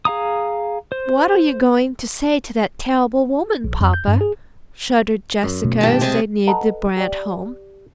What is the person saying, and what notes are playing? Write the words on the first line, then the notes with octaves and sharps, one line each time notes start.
"What are you going to say to that terrible woman, papa?" shuddered Jessica as they neared the Brant home.
G#4 F5 A#5 D#6
C5
A#1
F2
G6
G2
G#4
F#2
B2 A3 B3
G2 A#2 D#3 G4 A5
C3 G#3 G#4 A5
A4 B4 D#5 F#5 A#5
G4 D5